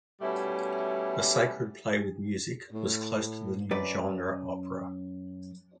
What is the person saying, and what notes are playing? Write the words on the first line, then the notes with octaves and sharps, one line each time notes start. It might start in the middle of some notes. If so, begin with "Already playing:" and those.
A sacred play with music was close to the new genre opera.
B2 G3 A3 C#4 E4
A2
F#2 B4 D5